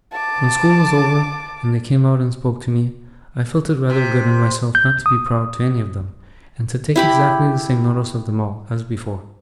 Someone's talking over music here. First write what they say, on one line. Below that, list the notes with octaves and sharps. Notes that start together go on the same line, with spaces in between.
When school was over, and they came out and spoke to me, I felt it rather good in myself not to be proud to any of them, and to take exactly the same notice of them all, as before.
A5 D6
C3
G6
D#6
E4 G4 B5